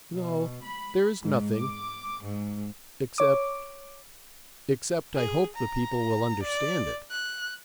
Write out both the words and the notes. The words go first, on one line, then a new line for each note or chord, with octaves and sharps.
"No--there is nothing--except ... except I hope the people will understand it."
B2
B5
G#2
D6
G#2
C#5 D6
G#4
A#5
D5
F#6